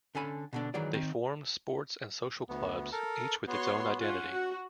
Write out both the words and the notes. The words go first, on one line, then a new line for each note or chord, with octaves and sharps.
They formed sports and social clubs each with its own identity.
D3 C#4 A4 G#5 B5
B2 D3 D4
D#3 E3 F#3 G#3 G#4 D5
D#3 C4
D2 B3
A4 A#4
B3 F#4 C#5 C6
C#4 F4 F#5
F#4